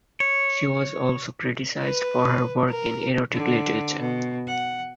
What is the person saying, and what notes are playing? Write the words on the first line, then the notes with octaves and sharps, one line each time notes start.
She was also criticized for her work in erotic literature.
C#5
B4
A#4
D3
B2
F#5